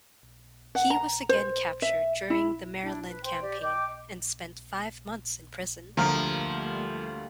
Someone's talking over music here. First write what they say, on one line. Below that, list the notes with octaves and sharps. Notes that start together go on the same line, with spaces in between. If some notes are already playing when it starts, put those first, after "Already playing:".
He was again captured during the Maryland Campaign and spent five months in prison.
F#5
A#5
C5
E5
E4
D4 E4
B4
C5 G5 C6
G4 D5
D#5 G5 D6 G6
D2 F3 G3 A3 A#3 A#4 F6